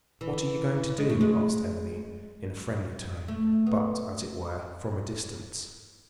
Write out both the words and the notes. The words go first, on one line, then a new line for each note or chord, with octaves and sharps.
'What are you going to do?' asked Emmeline, in a friendly tone, but, as it were, from a distance.
E3
G#3
A3
G#3
A3
B3